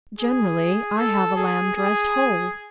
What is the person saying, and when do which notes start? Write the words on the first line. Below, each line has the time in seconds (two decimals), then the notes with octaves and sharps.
"Generally, I have a lamb dressed whole."
0.20 G#4
0.98 A4
1.36 G#4
1.76 G#4